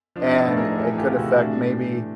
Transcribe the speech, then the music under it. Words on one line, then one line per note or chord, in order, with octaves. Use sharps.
and it could affect, maybe,
F3 D4
D#4
D4 E4
A2
G#4 A#4
E3 G4 A4
G#4
F4 G4
C3
E4 F#4
A2 D4
E3